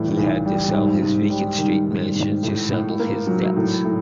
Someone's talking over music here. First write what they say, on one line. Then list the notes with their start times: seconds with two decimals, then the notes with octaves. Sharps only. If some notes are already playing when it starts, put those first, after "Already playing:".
He had to sell his Beacon Street mansion to settle his debts.
Already playing: A2 E3 G3
0.18 B1
0.46 G3
0.73 G#2
1.02 G#2
1.30 G3
1.58 D#3
1.87 G#2
2.15 G#2
2.43 A2
2.72 A2
3.00 A#3
3.27 F#3
3.56 A2
3.84 A2